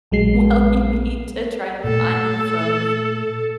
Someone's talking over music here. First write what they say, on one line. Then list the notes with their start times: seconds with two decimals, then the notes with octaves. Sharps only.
"Well, you need to try to find some,
0.11 A#1 F#3 G#3 C7
1.84 A#2 A3 A4